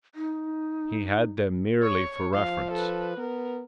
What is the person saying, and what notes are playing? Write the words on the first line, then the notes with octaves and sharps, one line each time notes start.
He had them merely for reference.
D#4
C#5 C#6
F3 F5
A4 B4
B3 A#4